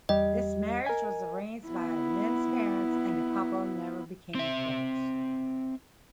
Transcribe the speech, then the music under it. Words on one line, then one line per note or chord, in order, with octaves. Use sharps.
This marriage was arranged by Lin's parents, and the couple never became close.
E2 G3 G4 D#5
A#4 G#5
B3 E4
C4 E5